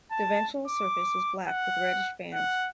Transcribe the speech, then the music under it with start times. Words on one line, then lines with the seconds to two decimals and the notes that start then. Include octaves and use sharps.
The ventral surface was black with reddish bands.
0.12 A5
0.68 D6
1.48 F#5
2.34 F#5